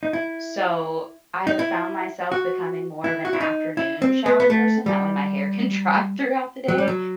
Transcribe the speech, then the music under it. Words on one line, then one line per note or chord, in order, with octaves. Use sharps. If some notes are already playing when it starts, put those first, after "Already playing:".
so I have found myself becoming more of an afternoon shower person. That way my hair can dry throughout the day
D#4
E4
D#4
E4
F#4
E4
F#4
E4
D#4
E4
C4
B3
B3
A3
G3
F#3
G3
F#3